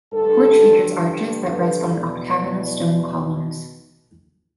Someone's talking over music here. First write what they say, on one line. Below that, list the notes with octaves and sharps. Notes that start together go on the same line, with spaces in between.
The porch features arches that rest on octagonal stone columns.
G2 D3 A4
B4
E2 B2 D5